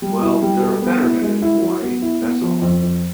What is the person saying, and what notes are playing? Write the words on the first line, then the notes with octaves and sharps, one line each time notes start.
Well, there are better men in Hawaii, that's all.
G3
E4
G3
A4
B3
E4
G#3
E4
F#3
B3
E4
B3
F3
F2
F2